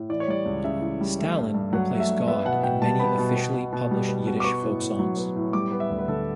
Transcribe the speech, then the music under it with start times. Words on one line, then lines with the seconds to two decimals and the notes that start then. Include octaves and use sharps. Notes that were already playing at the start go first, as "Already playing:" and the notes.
Stalin replaced God in many officially published Yiddish folksongs.
Already playing: A2
0.09 E3 D5
0.20 C#5
0.28 G3 D5
0.46 C#2
0.64 C#3 E5
0.82 E3
1.01 G3
1.19 A3
1.36 G2
1.55 G2
1.73 F#3 F#5
1.91 A3
2.00 E5
2.09 G2
2.28 B3 E5
2.45 B2 F#5
2.63 B2 G5
2.82 G3 A5
2.99 B3 B5
3.18 B2
3.36 B3
3.54 B2
3.73 B2
3.91 G3
4.09 B3
4.26 B2
4.40 D6
4.44 B3 C#6
4.63 A2
4.81 A2
4.99 F#3
5.17 B3
5.36 A2
5.53 G3 D6
5.72 B3
5.80 E5
5.90 D2
5.99 B4
6.08 D3 A4